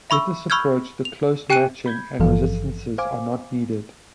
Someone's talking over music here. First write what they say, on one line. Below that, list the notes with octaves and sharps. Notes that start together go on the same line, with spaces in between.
With this approach the close matching and resistances are not needed.
E5 B5 C#6 E6
B5 C#6 E6 F6 G6 G#6
F7
G4 G5 G#5 F#6 C#7 D#7
B5 G6 G#6
G#1 G2 E3 F3 A4 F5
C5 F5 G#5 D6